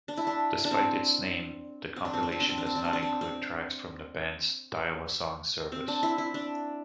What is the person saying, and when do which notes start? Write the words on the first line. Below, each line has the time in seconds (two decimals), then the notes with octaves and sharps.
Despite its name, the compilation does not include tracks from the band's "Dial-A-Song" service.
0.08 D4
0.17 E4
0.27 D4
0.65 D4
0.71 C4
1.96 C4
2.05 D4
2.13 C4
2.23 D4
2.32 C4
2.40 D4
2.49 C4
2.58 D4
2.66 C4
2.75 D4
2.84 C4
2.93 D4
3.02 C4
3.21 C4
5.72 C4
5.88 D4
6.03 E4
6.18 E4
6.34 D4